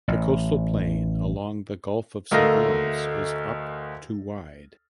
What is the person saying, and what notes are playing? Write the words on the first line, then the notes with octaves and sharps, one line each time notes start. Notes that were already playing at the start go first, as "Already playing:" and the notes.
The coastal plain along the Gulf of Saint Lawrence is up to wide.
A1
D2 A3 A#4 D#5 F5 A#6